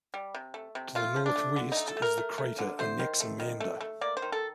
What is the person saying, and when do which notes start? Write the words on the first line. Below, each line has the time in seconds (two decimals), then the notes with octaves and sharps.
To the northwest is the crater Anaximander.
0.14 G3
0.35 C3
0.54 A3
0.75 C3
0.95 A3 F4
1.16 F3
1.26 D4
1.36 A3
1.56 D3
1.72 D#4
1.77 A3
1.88 A4
1.97 A3
2.02 A#4
2.18 A3
2.38 A3
2.59 D3
2.79 A3 C5
3.00 D#3
3.20 A3
3.40 D#3
3.60 A3
3.81 A3
4.01 A#3 D5
4.17 C5
4.22 D#3
4.32 A4